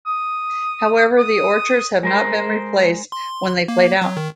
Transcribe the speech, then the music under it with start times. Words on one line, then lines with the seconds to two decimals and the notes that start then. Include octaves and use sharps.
However, the orchards have not been replaced when they played out.
0.07 D#6
1.18 D#6
2.03 G#3 A#4 C5
3.12 C6
3.68 A#3
4.02 F#3
4.17 D#3